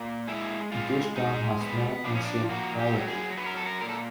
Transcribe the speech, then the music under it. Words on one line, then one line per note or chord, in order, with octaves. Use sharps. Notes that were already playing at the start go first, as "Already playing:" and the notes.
This term has no ancient authority.
Already playing: A#2
G#3 E4
G#3 F4
G#3 D#4
B3
F3 D4
C#4
D4
A#3 F#4
G4
F#3
G#4
F#3 B4
A#4
A4
A#4
A#2 A#4
A4